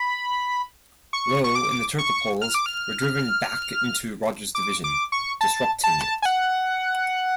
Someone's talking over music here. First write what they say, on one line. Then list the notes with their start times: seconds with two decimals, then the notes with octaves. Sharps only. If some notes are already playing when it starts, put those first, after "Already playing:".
Lo and the Turcopoles were driven back into Roger's division, disrupting it.
Already playing: B5
1.13 C#6
1.44 C#6
1.55 D6
1.98 C#6
2.42 F6
2.55 D6
2.66 F6
4.55 D6
4.84 D6
5.12 C#6
5.41 A5
5.84 A5
6.22 G#5
6.25 F#5